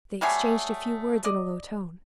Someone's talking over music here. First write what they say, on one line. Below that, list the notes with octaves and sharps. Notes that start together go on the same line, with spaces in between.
They exchanged a few words in a low tone.
F#3 G3 A3 G#4
D5 D#5